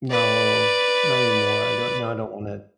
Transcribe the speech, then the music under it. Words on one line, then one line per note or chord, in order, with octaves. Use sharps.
No, not anymore. I don't no, I don't want it.
B4 D5